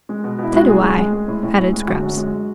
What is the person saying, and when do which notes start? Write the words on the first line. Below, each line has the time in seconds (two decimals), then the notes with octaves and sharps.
"So do I," added Scraps.
0.09 G#3
0.24 B2
0.38 B2 E4
0.53 G#3 F#4
0.68 A2 G#4
0.83 G#3
0.98 G#3
1.13 G#3
1.28 A2
1.43 A2
1.58 A2
1.73 G#3
1.87 D3 F#4
2.02 F#2
2.17 G#3